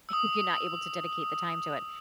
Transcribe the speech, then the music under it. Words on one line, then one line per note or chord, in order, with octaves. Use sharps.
if if you're not able to dedicate the time to it?
D#6 E6